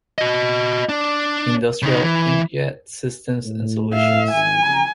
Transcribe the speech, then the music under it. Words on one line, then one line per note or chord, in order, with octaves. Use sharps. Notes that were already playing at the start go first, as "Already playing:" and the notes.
Industrial inkjet systems and solutions.
F#4 D#5
D4
C#3 D#4
E3
A2
E5 F5
G#1 G#5
C#3 F3 A#5